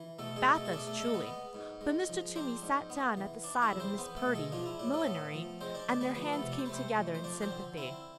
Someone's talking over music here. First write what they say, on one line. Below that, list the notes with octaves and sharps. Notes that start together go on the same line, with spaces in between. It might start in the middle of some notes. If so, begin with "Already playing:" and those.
Bathos, truly; but Mr. Toomey sat down at the side of Miss Purdy, millinery, and their hands came together in sympathy.
Already playing: E3
B2 A3 A4
G#3 G#4
B2
A3 A4
G#4
A3 D4 A4
A3 A4
G#3 A3 A4
B3 B4
B3
G#2
G#3
F3
C4 D4 C5
G#2
B3
E3
D4 D5
E4 E5
E2
C4 C5
B3 B4
A3 A4
B2
G#3 G#4
F3 D4 F4
E4
A2 D4
A3 A4
B3
F3
G#3 C4 C5
D4 D5
D2 D4 D5
B3 B4
F3 B3 B4
A3 A4
C3
D5
C5
B4
A3 C4 C5
F2
C5
F3 D4 D5
C4 C5
D3
C4 E4